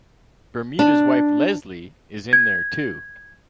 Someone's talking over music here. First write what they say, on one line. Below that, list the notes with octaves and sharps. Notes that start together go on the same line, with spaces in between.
Bermuda's wife Leslie is in there too.
D4
G#6